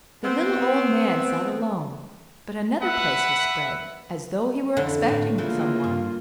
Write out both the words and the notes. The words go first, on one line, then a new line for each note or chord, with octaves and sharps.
The little old man sat alone, but another place was spread, as though he were expecting some one.
B3 C4
B4 E5 F#5
F2 D3 E3
A2
C#3 E3 A3 A#3 F4
G2